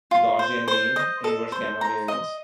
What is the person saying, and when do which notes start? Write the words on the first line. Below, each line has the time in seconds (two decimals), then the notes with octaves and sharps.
Gaussian mean, inverse-gamma variance.
0.11 F4
0.39 C5
0.68 C5
0.96 D#5
1.24 A4
1.52 C5
1.81 A#5
2.08 D#5